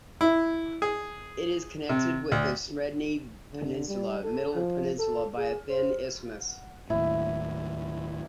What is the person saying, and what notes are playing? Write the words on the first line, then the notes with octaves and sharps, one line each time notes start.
It is connected with the Sredny Peninsula, "Middle Peninsula" by a thin isthmus.
E4
G#4
C3
D2
D3
G3
A4
F3
A4
G#4
C5
D#2 A2 E4